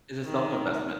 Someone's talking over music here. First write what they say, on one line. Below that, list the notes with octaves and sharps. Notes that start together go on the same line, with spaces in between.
It's a self investment.
D#3